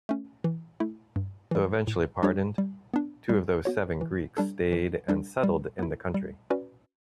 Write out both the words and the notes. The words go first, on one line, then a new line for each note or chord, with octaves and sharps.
Though eventually pardoned, two of those seven Greeks stayed and settled in the country.
A3 C#4
E3
A3 E4
G2
E3 G3
A2
G3 D4 G4 C#5
G3
B3 D4
G3
B3 F#4 C#5
E3
G3 D4 A4
E3
G3 D4 A4
G3
B3 E4
G3
C#4 F#4 B4 D5